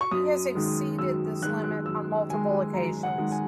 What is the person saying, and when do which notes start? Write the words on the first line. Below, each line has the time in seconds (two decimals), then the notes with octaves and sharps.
He has exceeded this limit on multiple occasions.
0.01 C#6
0.11 F#2 D#6
0.55 D#3 G#3
0.98 F#2 E6
1.42 D#3 G#3 F#6
1.64 F#6
1.86 F#2 E6
2.30 D#3 G#3 G#5
2.74 F#2 A#5
3.03 F#5
3.18 D#3 G#3
3.32 G#5